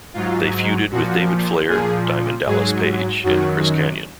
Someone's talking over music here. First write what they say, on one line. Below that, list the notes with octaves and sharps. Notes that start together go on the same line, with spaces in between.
They feuded with David Flair, Diamond Dallas Page and Chris Kanyon.
G#2 F#3 F4
A#2 F3 F#4
A#2 F3 G#4
G#2 F#3 G#4
F#2 D#3 F#3 F#4